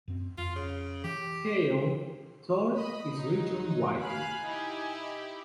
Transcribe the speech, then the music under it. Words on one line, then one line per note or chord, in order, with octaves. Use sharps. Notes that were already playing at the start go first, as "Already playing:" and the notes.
Hale toured his region widely.
F#2 C4
F2 F4
C#3
E3 G4
D#5 B5
F#3 D#4
F5 G#5 B5 F#6
D#4 E4 G4